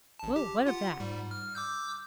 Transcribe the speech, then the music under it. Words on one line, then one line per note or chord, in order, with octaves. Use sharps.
"Well, what of that?"
A1 A5
G4
F4 F#5
G#2 G3
F6
D6 E6 G6